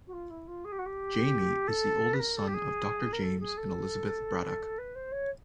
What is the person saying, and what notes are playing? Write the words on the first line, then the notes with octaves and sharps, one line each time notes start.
Jamie is the oldest son of Doctor James and Elizabeth Braddock.
F#4
F4
E4
F4
G#4
G4
F#4
G4
A4
B4
A#4
A4
G4
G#4
A#4
A4
G#4
A4
B4
C5
C#5